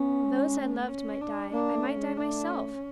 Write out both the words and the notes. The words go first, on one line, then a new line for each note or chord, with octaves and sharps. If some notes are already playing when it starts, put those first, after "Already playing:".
Those I loved might die; I might die myself.
Already playing: B3 C#4
G#3
A3
C#4
D4
A#3 D4
A3
C#4
G#3
A3 D4
C#4